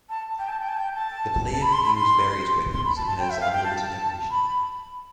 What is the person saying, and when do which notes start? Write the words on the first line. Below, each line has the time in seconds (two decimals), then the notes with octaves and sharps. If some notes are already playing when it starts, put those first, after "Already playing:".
The player can use various weapons and has unlimited ammunition.
0.10 A5
0.39 G5
0.49 A5
0.60 G5
0.69 A5
0.77 G5
0.95 A5
1.52 A5
1.62 B5
1.73 C6
1.84 B5
1.95 C6
2.73 C6
2.85 B5
2.96 A5
3.07 A5
3.19 G5
3.30 E5
3.41 F5
3.53 G5
3.64 A5
4.30 B5